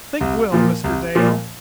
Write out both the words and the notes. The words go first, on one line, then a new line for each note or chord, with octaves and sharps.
"Think well, Mr. Dale!"
C2
A#2 F3 A#3
C2
A#2 F3 A#3